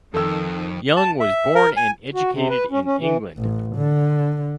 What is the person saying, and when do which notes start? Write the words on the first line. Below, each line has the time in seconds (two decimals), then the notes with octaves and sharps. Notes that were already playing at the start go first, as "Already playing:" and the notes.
Young was born and educated in England.
0.14 F2 D#3 A4 E6
0.96 A5
1.20 E5
1.55 A#4
1.77 G#5
2.14 F#4
2.32 C3
2.50 B4
2.71 C#4
2.85 C#4
2.99 E3
3.38 A1
3.76 D3